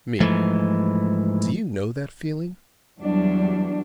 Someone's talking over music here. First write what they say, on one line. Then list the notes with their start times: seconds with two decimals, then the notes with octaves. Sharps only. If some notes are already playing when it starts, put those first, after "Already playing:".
ME: Do you know that feeling?
0.20 G#2 E3 F3 A3
2.99 E2 F#3 G3 D4